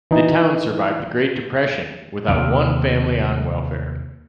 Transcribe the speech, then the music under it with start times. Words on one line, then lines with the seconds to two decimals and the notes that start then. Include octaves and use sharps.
The town survived the Great Depression without one family on welfare.
0.11 E3 D#4
2.28 D#2 C3